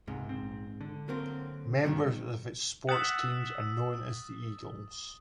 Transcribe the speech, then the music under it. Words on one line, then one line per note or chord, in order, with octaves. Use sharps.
Members of its sports teams are known as the "Eagles".
C#2 G#2 C3
A#1 C4
D3
F#3 A#3 C4
G2 B2 D#3 G3
E5 F#5 D#6 A6 F#7